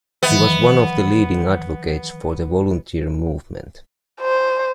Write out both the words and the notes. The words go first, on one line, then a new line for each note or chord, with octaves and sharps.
He was one of the leading advocates for the volunteer movement.
D#3 E3 F#3 B3
C5